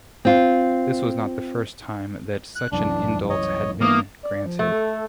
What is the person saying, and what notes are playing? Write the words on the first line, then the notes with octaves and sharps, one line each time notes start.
This was not the first time that such an indult had been granted.
C4 F4
F#6
C2 F#2 E3 D4
C#5 D#5
E3 A#3 B3 D6 D#6 F6
D5
F3
A3
A4